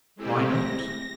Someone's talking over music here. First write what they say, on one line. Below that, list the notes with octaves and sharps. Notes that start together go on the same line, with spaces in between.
"Why not?"
G#3 A3 C4 E4 G4
A#6